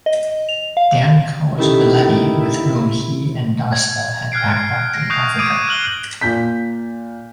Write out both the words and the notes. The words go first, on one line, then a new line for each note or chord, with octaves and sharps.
Dan calls Villetti, with whom he and Dassa had backpacked in Africa.
D#5
F7
F5
D#3 C#4 E4 G4 A4
G#6
F6 F#6 G#6 C7 D7
A#6 D7
C#6 D#6 F#6 G6 C7 F7
D6 D#6 G#6 D7 D#7
F6 F#6 F#7 G7
A#2 G6 B6